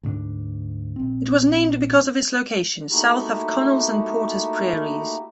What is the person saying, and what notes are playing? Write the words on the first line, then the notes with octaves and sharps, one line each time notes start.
It was named because of its location, south of Connell's and Porter's prairies.
D2 G#2 C4 D4
A#1 C4
A3 A#3 D#4 E4 F#4 G4